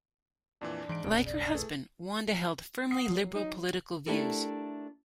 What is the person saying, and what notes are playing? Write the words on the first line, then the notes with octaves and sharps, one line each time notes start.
Like her husband, Wanda held firmly liberal political views.
F2 A#2 E3 D4
G#2 E3 D7
F1 B1 C#3
D5
E3 A3 G#4 A4
F#5 D#6 C7
F#3
D#4
A3 D4 E4 G4 A4 A#4